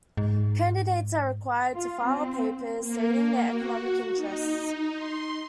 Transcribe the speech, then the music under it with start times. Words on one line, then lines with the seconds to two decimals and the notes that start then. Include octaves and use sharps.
Candidates are required to file papers stating their economic interests.
0.17 G#2
1.73 F4
2.05 C4
2.80 A#3
3.51 F#4
4.16 D#4
4.95 C6